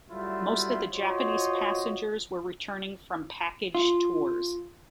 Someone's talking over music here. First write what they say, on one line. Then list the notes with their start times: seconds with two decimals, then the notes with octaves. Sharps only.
Most of the Japanese passengers were returning from package tours.
0.11 F#3 G3 A3 E4 F4
0.90 F4 F#4 C5 C#5 D#5
3.75 F4